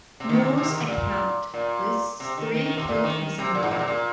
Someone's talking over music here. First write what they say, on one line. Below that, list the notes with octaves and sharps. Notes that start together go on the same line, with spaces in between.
Moore's account lists three killed and some wounded.
C3
D#3
C3
D#3
C3
D#3
C3
A#2
A#2
C3
D#3
D#3
D#3
C3
A#2
D#3
D#3
C3
A#2
G#2
A#2
C3
A#2